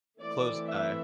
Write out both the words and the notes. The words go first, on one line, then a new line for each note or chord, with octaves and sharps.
close, uh,
E3 A3 C4 D5
E5